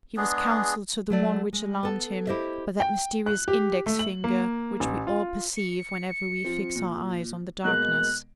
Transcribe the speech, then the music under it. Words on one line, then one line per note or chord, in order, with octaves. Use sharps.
He was counselled to the one which alarmed him by that mysterious index finger which we all perceive whenever we fix our eyes on the darkness.
G#3 B3 D4 G#4
F#3 A3 D5
G#3
B3 A4
E4 G4 C5 D#5 E5
G5
F#6
G4
A3
F#7
A#3
A1
F4
C#7
F3 C4
A#2
B2 G#3 A#3 F#6